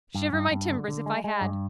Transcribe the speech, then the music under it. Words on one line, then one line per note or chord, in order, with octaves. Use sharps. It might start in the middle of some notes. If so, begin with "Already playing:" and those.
Shiver my timbers if I had.
G2
G2
G2
D3
D3
G#3
G#3
G2